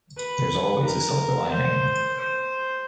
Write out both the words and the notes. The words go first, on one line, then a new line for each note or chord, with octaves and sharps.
There’s always a silver lining.
B4
A#4
C5
C5